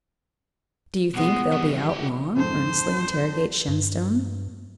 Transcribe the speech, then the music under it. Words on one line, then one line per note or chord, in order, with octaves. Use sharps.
"Do you think they'll be out long?" earnestly interrogates Shenstone.
B1 G#3 B3
E3 G3
F#4 G4
F2 G#2 C5
G2